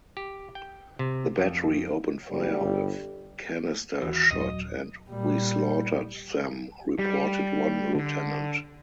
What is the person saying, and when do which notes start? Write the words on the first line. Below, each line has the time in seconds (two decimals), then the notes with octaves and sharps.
The battery opened fire with canister shot and "we slaughtered them" reported one lieutenant.
0.17 G4
0.55 G5
0.99 C3
1.38 F2
2.31 F#1 G3
2.60 G1
4.02 D#2 E3 F#4
4.31 D#1 F#2 F#3 C#4 D#5
5.10 A#2 G3
6.99 G3
7.95 D3